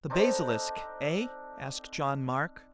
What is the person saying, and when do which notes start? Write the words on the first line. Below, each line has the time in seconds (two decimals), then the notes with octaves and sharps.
"The basilisk, eh?" asked John Mark.
0.10 C4 D4 D#4 A4